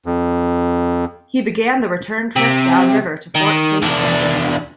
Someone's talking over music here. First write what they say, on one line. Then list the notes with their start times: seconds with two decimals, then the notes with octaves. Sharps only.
He began the return trip downriver to Fort Saint Anthony.
0.06 F2
2.36 C3
3.35 D#3
3.82 E2 D4